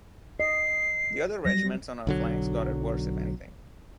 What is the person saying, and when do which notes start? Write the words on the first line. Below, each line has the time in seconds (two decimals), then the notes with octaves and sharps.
The other Regiments on our flanks got it worse if anything.
0.40 D#5 C7
1.45 F#3 G3 A#6
2.07 B1 D3 F#3